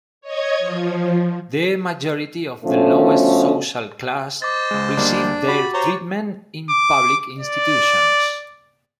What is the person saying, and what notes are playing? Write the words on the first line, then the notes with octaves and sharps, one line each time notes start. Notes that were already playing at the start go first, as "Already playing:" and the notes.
The majority of the lowest social class received their treatment in public institutions.
C#5 D#5 G#6
F3
B2 D3 F3 A3 C#4
C5 D#5 D6 A6
C#2 G#3
D2 G3 A#3 D4
F#4 G4 B5
C5 C#5 A#5
D6
D5